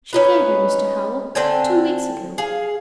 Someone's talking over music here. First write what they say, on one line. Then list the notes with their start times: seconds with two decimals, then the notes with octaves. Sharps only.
She came here, Mr. Howell, two weeks ago.
0.13 C#4 D#4 B4
1.35 D3 C4 G5 G#5
2.38 G#4 F5